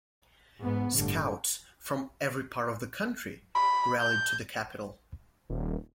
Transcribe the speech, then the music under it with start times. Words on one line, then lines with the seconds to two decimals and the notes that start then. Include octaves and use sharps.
Scouts from every part of the country rallied to the capital.
0.61 G#2 B3
0.94 G1 A2 D3
3.56 B5
4.00 G6
5.50 D#1